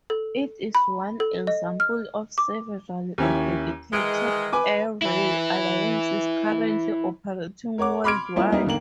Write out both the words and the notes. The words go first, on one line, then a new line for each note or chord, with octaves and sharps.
It is one example of several a dedicated air-rail alliances currently operating worldwide.
A4
B5
A4
D#5
F6
D6
D#2 C#4 E4
D#3 E3 G#3 D7
B4 G#5 D6
E4 B4
A#4 C#5 F#5 D6
B5 C6 D6 F6 G#6 D7
G3 A#3 C#4 E4 F4
G3 A#3 B3 D#4 E4
G#1 D3 D#3 A#3 F#7